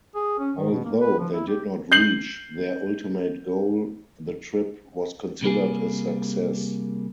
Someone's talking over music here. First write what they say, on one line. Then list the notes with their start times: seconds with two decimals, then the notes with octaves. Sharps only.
Although they did not reach their ultimate goal, the trip was considered a success.
0.15 G#4
0.39 C#4
0.56 D#3
0.71 B2
0.85 A#3
1.00 B4
1.19 F3
1.33 E4
1.48 G4
1.92 G6 C7 F#7
5.42 C3 G3 A#3 G#4